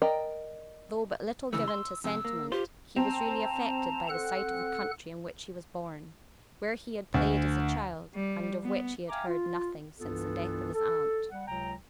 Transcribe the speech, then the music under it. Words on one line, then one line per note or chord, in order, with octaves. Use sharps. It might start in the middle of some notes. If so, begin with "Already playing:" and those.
Though but little given to sentiment, he was really affected by the sight of the country in which he was born--where he had played as a child, and of which he had heard nothing since the death of his aunt.
A#4 D5 D#5 G5 A#5
C#3 E3 A3 E6
C6
F2 C3 E6
A#3
F4 G4 C5
C4 A5 A#5
A4 F#5 F#6
D2
G3
B3
E5 F5 G5 G#5 A#5 D6
F4
C2 G2 E3 B3 F4 A4
A4
G3 F#5
C#2 C3 F#3 G5 A#5